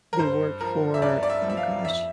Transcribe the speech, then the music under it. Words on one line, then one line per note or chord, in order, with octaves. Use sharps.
they work for oh gosh,
A#4
G2 C5
F3 A#4
E5
G2 D5
D5
E5
F3
E5
F5
F2 E5